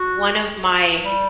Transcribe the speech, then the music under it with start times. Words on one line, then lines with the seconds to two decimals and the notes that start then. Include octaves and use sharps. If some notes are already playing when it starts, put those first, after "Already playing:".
one of my
Already playing: F#4
1.05 G3